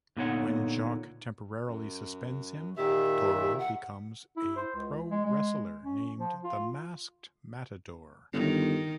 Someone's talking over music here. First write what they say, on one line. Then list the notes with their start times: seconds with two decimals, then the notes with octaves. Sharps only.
When Jock temporarily suspends him, Toro becomes a pro-wrestler named "The Masked Matador".
0.17 A#2 D3 B3 D#4 C#5 F#5
1.66 F#2
2.77 A#2 D#3 G4 E5
3.59 F#5
4.37 E4
4.57 C5
4.76 C#2
5.10 G#3
5.25 G#3
5.84 C#4
6.17 F3
6.44 F4
8.33 G1 D#3